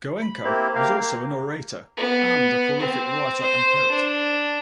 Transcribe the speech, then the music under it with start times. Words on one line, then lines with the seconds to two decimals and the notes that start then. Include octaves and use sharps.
Goenka was also an orator, and a prolific writer and poet.
0.22 B5
0.44 A#3 C4 E4 G4
0.75 A#3 G4 A#4 F5
1.97 B3
2.80 C4
3.41 C5
3.91 D4